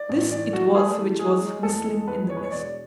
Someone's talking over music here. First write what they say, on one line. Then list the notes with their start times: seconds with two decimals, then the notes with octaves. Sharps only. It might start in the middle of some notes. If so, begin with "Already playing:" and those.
This it was which was whistling in the mist.
Already playing: D5
0.09 A1
0.30 E3 D5
0.53 A3 F#4
0.75 A3 G#4
0.97 E3
1.19 G#3 G#4
1.41 G#3
1.63 E2 A4
1.86 G#3
2.07 E2 B4
2.29 G#3 C#5
2.37 B4
2.44 C#5
2.52 E1 D5